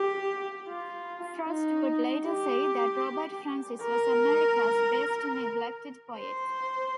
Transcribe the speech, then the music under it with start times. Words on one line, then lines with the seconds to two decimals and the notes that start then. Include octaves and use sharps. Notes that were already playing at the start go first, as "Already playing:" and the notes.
Frost would later say that Robert Francis was America's best neglected poet.
Already playing: G4
0.68 F4
1.47 D#4
2.26 G4
3.82 A#4
6.18 C5